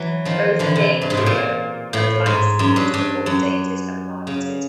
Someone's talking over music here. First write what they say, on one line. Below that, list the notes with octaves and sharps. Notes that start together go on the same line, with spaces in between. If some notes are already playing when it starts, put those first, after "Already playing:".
Both Gamebryo and LightSpeed were updated and marketed.
Already playing: E3 F#3
D#3 F3
D3 E3
C3
G2
G#2
A2
A#2
A2
G#2
F#2
G2
G2
F#2
C#3